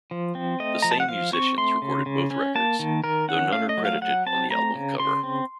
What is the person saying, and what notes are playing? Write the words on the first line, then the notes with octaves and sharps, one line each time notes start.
The same musicians recorded both records, though none are credited on the album cover.
F3
C4
A3 D#5
F3 A#5
A5
F#5
F3 F5
C4 C#6
A3 C6
C#3
C#3
C#4
A#3 A5
D#3
D#3 A#4
C#4 F#5
A3 F5
D#5
F#3
F5
F#3 F#5
C4 A5
A3 A#5
C#3
C#3 C6
C4